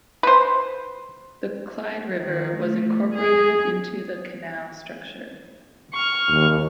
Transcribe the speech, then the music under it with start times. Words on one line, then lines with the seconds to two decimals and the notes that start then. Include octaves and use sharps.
The Clyde River was incorporated into the canal structure.
0.23 B4 C5
2.21 D#3
2.59 A3
3.14 G#4
5.93 C#6 F6
6.29 D#2